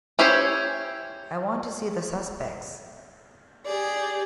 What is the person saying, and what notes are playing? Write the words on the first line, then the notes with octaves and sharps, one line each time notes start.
I want to see the suspects.
C#4 E4 G4 C5 C#5
G4 G#4 D5